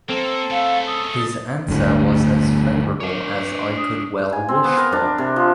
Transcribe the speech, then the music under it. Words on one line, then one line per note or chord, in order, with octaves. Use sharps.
His answer was as favorable as I could well wish for.
A#3 C4 A4
C#3 A3 F5
D#6
G1 D2 A2
D4 A#4 C#5
B4
D#6
G#5
C4
B3
A#4
D4
C3
F3